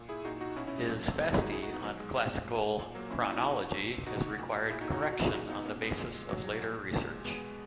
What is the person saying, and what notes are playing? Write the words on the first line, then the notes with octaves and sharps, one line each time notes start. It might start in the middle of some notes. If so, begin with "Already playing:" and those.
His "Fasti", on classical chronology, has required correction on the basis of later research.
Already playing: A#2
E4 G#4
A#2 D#4 F#4
D#4 F#4
B2 C#4 E4
C#4 E4
G#3
A#2 F#3
B2 G#3 B3
G#4
D#4 F#4
B2 E4 G#4
D#4 F#4
B3 D#4
B2 F#3
G#3
A#2
B2
A#2
F#3 A#3
A#2 C#4 E4
C#4 E4
D#4 F#4
B2
A#2
B2 D#4 F#4
A#2
A#2 E4 G#4
D#4 F#4
D#4 F#4
B2 D#4 F#4
D#4 F#4
E4 G#4
A#2 D#4 F#4
B3 D#4
B2 A#3 C#4
G#3 B3
A#2 G#3
G#3
B2 F#3
A#2
A#2 G#3
B2 G#3 B3